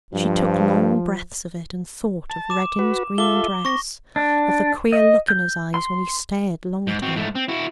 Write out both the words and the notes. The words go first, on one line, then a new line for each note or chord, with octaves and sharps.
She took long breaths of it, and thought of Reddin's green dress, of the queer look in his eyes when he stared long at her.
G2 F3
A5
D6 E7
F#4 B4
F4 A4 E5 D6 G7
C4 C#6 A#6
D4
D#5
G6
C6
G#2
C4 F#4
G#2 A3
C4
E4 F#4